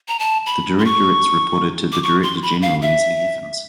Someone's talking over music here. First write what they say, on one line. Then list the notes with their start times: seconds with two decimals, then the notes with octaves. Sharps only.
The Directorates reported to the Director-General Leslie Evans.
0.08 A#5
0.19 A5
0.46 B5
0.78 C6
0.85 C#6
1.92 D6
2.03 C#6
2.23 C6
2.43 B5
2.62 F5
2.82 E5